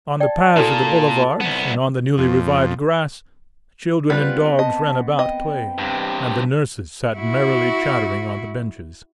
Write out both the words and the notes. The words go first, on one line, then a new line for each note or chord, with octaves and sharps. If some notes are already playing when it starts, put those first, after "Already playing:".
On the paths of the boulevards and on the newly-revived grass, children and dogs ran about, playing, and the nurses sat merrily chattering on the benches.
D5 G5 A5
A#2 E4 F#4 A4
C2 B3
F2
G3 B3 C4 F4 B4 F#6
D#5 A5
D#5 G5
G2 C3
E4 F#4